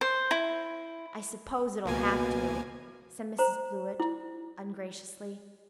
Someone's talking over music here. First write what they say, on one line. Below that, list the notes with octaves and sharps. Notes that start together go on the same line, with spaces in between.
"I suppose it'll have to," said Mrs. Blewett ungraciously.
C5
E4
C#2 B2 A#3 G#5
C5 A#5
E4